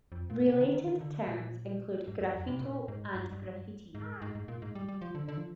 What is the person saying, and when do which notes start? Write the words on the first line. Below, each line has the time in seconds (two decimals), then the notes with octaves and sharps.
Related terms include graffito and graffiti.
0.12 F2
0.30 A#2
0.48 C3
0.61 D#3
0.74 D#3
0.87 D#3
1.01 D3
1.28 A#2
2.08 G#2
2.21 G2
2.35 F2
2.48 C3
2.61 A#2
2.88 G#2
3.15 G2
3.33 G2
3.43 G#2
3.50 G2
3.95 G#2
4.22 G#2
4.35 G#2
4.48 A#2
4.62 G#2
4.75 G3
4.89 G3
5.01 F3
5.15 D3
5.28 D3
5.37 F3